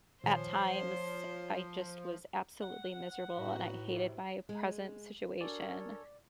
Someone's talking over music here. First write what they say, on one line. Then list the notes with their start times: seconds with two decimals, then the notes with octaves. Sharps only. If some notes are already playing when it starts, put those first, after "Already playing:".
at times, I just was absolutely miserable, and I hated my present situation,
0.24 A#2 D#3 F3 C5 C#5 G#5
2.61 F#5
3.35 A2 D#4 F#4 B4
3.93 C3 G3 E4
4.49 G#3
5.41 D4 F#4 A4 A#4 C#5 D5 G#5